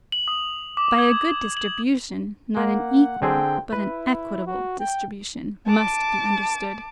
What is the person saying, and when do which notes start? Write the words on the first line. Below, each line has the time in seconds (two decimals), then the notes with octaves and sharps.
By a good distribution, not an equal but an equitable distribution must be understood.
0.12 F#7
0.28 D#6
0.77 D6
0.98 G#6
1.57 F#7
2.57 A#3 F#5
3.22 D3 C4 G#4 G5
3.73 E4 B4
4.47 F#4
4.80 G5
5.66 A5 D6